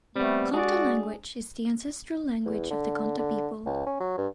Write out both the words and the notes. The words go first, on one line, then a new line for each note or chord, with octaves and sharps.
Konta language is the ancestral language of the Konta people.
G3 A3 B3 C4
G#3 D4 F#4 G#4 D5
E2
D3
D3
C#2
C#4
F#3
G2